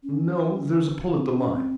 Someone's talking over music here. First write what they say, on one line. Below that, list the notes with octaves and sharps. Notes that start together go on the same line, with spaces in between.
No, there's a pull at the line.
C#4
C4
C#4
C4